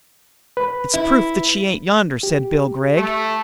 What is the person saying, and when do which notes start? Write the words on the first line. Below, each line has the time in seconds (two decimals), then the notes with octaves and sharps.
"It's proof that she ain't yonder," said Bill Gregg.
0.57 B4
0.94 E4
2.23 G4
2.97 A3